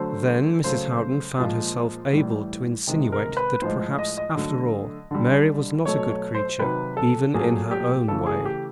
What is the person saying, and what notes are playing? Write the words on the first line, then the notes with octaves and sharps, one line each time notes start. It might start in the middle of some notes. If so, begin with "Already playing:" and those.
Then Mrs. Houghton found herself able to insinuate that perhaps, after all, Mary was not a good creature, even in her own way.
Already playing: D3 F#3 A3 C5
C#3 F#3 A3 C5
A#2 F3 G#3
A2 E3 G3
C3 D#3 G#3
A#4
B4
A2 F3 G#3 C5
D#5
D#5
D3 F#3 A3
D3 G3
B2 F#3 A3 C#5
C#5
C5
C3 D#3 F#3 B4
A4
A#2 F#3 A3 G#4
G4
C#3 E3 A3 A4
G#4
G4